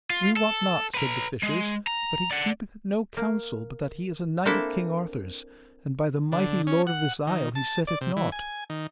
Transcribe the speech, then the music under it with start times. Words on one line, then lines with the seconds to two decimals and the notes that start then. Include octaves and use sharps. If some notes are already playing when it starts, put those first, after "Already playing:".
We wot not, said the fishers, but he keepeth it no counsel but that he is a knight of King Arthur's, and by the mighty lord of this isle he setteth nought.
0.10 F4
0.37 A4
0.94 B4 A#5
1.43 G#3
1.87 A#5
2.31 D5 F#5
3.17 A#3
4.45 A#3 C4 D4 E4 A4 E5
6.32 D3
6.67 C#4
6.87 F#5
7.27 D#3
7.55 A5
7.87 D5
8.01 C3
8.16 E3
8.32 G#5
8.70 D#3